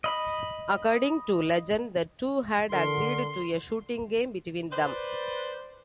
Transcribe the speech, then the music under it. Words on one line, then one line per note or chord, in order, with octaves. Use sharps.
According to legend the two had agreed to a shooting game between them.
D#5 B5
D3 A#4 C6
B4 C5 D5